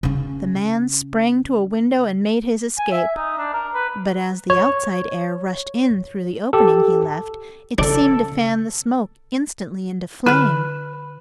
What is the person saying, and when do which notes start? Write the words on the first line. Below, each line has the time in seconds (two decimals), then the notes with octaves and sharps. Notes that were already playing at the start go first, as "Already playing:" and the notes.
The man sprang to a window and made his escape, but as the outside air rushed in through the opening he left, it seemed to fan the smoke instantly into flame.
0.03 C#3 C#4
2.78 G#5
2.92 E5
3.16 D#4
3.38 D4
3.53 A#4
3.74 B4
4.50 C#5
6.53 G4 A4
7.78 C#3 D4 A4
10.26 D3 B4 F6